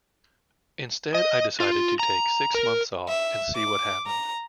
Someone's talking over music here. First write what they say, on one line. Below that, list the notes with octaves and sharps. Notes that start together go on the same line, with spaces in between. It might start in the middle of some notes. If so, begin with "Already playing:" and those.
Instead I decided to take six months off and see what happened.
D#5
F4
A#5
A#4
E5
D6
A#5